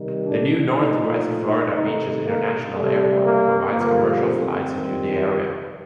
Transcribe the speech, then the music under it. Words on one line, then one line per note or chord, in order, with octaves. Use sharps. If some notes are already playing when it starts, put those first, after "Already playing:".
The new Northwest Florida Beaches International Airport provides commercial flights into the area.
Already playing: C3 D#3 G3
D4
A#2 F3 A3 D#4
C3 D#3 A3 D#4
A#3
C3 G3 A3
A#3
G2 D3 F3 A3 A#3
C4
F2 D#3 G3